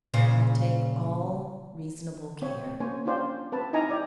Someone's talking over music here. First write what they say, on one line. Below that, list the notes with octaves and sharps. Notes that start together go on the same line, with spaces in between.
"I'll take all reasonable care."
A#2 C#3 C5
C4 C#5
A#3 C#4 C5 C#5 G#5
C#4 D4 F4 C5 D5 G5
C4 B4 A5
D#4 E4 D#5 G#5 A#5
E4 D5 E5 G5